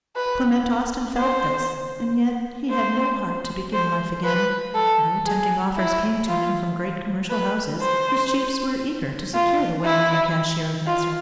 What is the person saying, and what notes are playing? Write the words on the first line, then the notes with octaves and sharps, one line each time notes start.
Clement Austin felt this, and yet he had no heart to begin life again, though tempting offers came to him from great commercial houses, whose chiefs were eager to secure the well-known cashier of Messrs.
B4
C5
C5
C5
B4
A4
G#4
E4
F4
B4
C5
F4
E4
F4